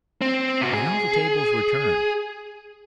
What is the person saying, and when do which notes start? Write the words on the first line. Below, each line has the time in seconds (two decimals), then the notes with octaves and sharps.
Now the tables were turned.
0.21 C4
0.61 C3 F#4
0.74 G#4